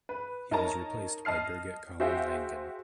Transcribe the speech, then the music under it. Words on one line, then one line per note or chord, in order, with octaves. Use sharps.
He was replaced by Birgit Collin-Langen.
B4
D#4 A#4 C#5 D#5 A5 A#5
D#5 A5 F6 C7
F#4 G#4 C5 E5 F5 G5